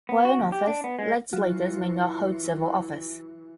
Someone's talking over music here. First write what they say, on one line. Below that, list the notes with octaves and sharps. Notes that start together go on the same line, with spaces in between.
While in office, legislators may not hold civil office.
B3
F#4
D#2
G4
D4
B3
G#3
E3 F#3 F4 F#4